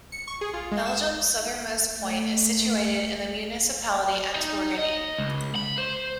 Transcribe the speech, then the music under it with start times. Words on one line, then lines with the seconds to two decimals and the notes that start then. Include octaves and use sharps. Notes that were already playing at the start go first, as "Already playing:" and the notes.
Belgium's southernmost point is situated in the municipality, at Torgny.
0.12 C#7
0.28 C#6
0.41 G#4
0.54 F4
0.72 G#3
0.86 E7
1.97 A3
4.35 D#4
4.78 D#5
5.18 C#2
5.56 B5
5.78 C5